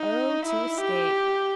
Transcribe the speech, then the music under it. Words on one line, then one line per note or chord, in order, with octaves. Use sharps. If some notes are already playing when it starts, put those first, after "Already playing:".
Oh, to escape!
Already playing: D#4
E4
G4